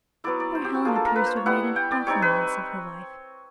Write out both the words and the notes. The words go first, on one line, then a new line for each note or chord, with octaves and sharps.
Poor Helen appears to have made an awful mess of her life.
F#3 B3 E4 D5
D5
C5
G4
F#4
A#3 D4 F4 G#4
A4
A#4
B4
C5
C#5
G3 B3 E4 F#5
G5
D5
G3 C4 D#4 C#5
B4